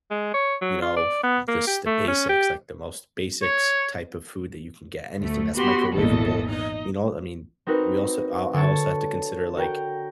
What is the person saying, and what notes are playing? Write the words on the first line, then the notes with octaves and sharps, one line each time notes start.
you know, the s the basics, like, the most basics type of food that you can get. Anything that's microwavable, you know, I mean, we also, I I also have to consider, like,
G#3
C#5
F#3
F4
D5
B3
A#3
G4
A3
C#4
G4
C#5
D2 A3
B3 F#4 G4 B5 C6
G#1 E2 A#2 E3 A4 D#5
D#4 D#5
C4 D#4 F#4 A#4 B4
D3 C#5 A5
F#4 A#4 G5 A#5